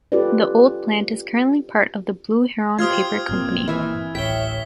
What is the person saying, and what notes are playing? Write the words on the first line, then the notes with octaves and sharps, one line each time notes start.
The old plant is currently part of the Blue Heron Paper Company.
C#4 F4 G4 A4 B4 D5
F4 G4 C5 D#6 F6 G#6
G1 A#2 A#3 C4
E3 E5 G#5
D1 A1 C#5 E5 G5 B6 G7